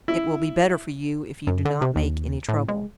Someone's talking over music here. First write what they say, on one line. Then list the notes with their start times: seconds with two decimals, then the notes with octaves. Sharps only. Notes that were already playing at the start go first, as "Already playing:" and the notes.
"It will be better for you if you do not make any trouble."
0.08 E4
1.47 F#2
1.65 D3
1.82 C3
1.96 D#2
2.49 A2
2.68 G#3